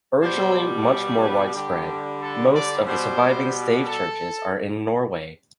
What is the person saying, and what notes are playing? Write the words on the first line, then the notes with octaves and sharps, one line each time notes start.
Originally much more widespread, most of the surviving stave churches are in Norway.
B2 G3 C5
B4
D3 G3 G4
A4
D5
B2 G3 C5
A4